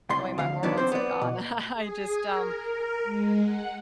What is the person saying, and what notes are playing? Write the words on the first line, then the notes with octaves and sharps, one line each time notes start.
the way my hormones have gone, I I just, um,
C2 C6
D2 F5
D#3 E3 F#3 B3 D4
C4 C5
B3 D5
B2
G#4
A#4
A#4
G#3
F#5